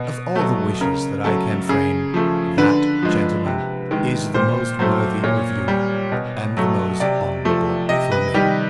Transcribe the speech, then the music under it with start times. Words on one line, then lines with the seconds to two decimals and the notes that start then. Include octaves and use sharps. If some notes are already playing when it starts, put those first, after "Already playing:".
Of all the wishes that I can frame, that, gentlemen, is the most worthy of you and the most honorable for me.
Already playing: B2
0.36 F#3 A3
0.81 C#3 A#4
1.24 F#3 A3 A4
1.69 C#3 G#4
2.14 F3 A3
2.58 D3 B4
3.02 F3 G#3
3.46 C3
3.91 D#3 G#3
4.34 A#2 C5
4.79 F#3 A3 C5
5.24 A#2 C#5
5.68 G3
6.12 B2
6.57 F#3 A3
7.00 C3 D5
7.45 F3 A3
7.89 C3 D#5
8.12 B4
8.34 D#3 G3 G4